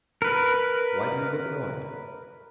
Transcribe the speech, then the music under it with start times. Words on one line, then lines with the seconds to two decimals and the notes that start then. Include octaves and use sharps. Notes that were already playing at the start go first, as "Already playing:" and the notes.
Why do you look annoyed?
0.22 A#4 B4